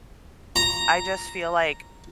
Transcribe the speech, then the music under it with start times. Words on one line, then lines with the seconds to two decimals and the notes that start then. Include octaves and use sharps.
I just feel like
0.56 A#5